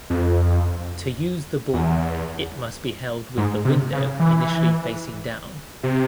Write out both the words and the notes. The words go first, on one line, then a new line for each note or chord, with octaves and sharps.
To use the ball, it must be held with the window initially facing down.
F2
E2
G#2
C3
C#3
E3
C3